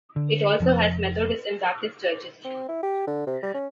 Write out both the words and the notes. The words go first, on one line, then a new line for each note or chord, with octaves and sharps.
It also has Methodist and Baptist churches.
D3
F1 F3
C4
E4
G4
D3
C3
G3
C#4